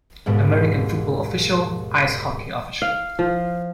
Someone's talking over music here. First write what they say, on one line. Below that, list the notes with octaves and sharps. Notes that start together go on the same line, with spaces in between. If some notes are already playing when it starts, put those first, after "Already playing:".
American football official, Ice hockey official.
D#2 G#2 B2
F5
F3